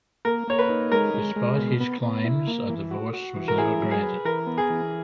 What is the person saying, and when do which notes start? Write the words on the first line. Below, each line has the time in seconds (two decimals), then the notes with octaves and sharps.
Despite his claims, a divorce was never granted.
0.25 A#3 A#4
0.48 A#3 C#5
0.59 B4
0.69 D#4
0.92 G#3 A#4
1.14 G#3
1.36 G#3
1.58 B2
1.80 B3
2.02 B3
2.24 E4
2.47 A#3
2.70 E3
2.91 F#4
3.13 F#4
3.36 E3
3.48 A#4
3.58 E4 G#4
3.81 F#3
3.91 G#4
4.02 B4
4.25 E3 A#4
4.47 B3
4.58 G#4
4.70 E3